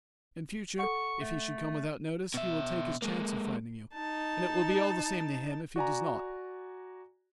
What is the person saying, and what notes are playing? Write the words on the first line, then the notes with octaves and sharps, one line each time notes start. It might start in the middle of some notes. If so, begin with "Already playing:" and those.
In future, if he should come without notice, he will take his chance of finding you, and it will be all the same to him if he does not.
A4 F#5 C#6
A3
B2 E5
G#3 A#3
D#4 A5
F#4 D5 G#5 A#5